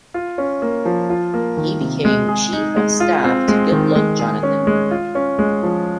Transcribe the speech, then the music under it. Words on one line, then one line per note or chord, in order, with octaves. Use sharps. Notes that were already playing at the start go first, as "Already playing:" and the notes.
He became Chief of Staff to Goodluck Jonathan.
F4
C#4
A#3
F3
F4
A#3
D#3
C3
G#3
G#4
D#4
G#3
F4
C4
G#3
D#3
G#3
G#4
C#4
G#3
F4
C#4
G#3
F3